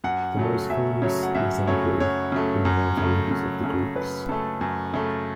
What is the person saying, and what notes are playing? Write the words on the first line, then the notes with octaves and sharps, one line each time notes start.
The most famous example being Mount Olympus of the Greeks.
F#2 F#5
C#3 F#3 A3
F#2 E5
C#3 F#3 A3 C#5
F#5
F#2 E5
C#3 F#3 A3 C#5
F#2 C#5
C#3 F#3 A3
F#2
C#3 A3
F#2
C#3 A3
F#2 B4
C#3 A3 A4
F#2
C#3 A3